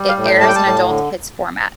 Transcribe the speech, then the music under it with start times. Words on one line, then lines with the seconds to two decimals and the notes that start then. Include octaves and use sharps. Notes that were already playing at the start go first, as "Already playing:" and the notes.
It airs an adult hits format.
Already playing: G3
0.08 F5
0.17 A2
0.25 G5
0.40 G3 A5
0.48 G5
0.56 A5
0.65 A2
0.89 D3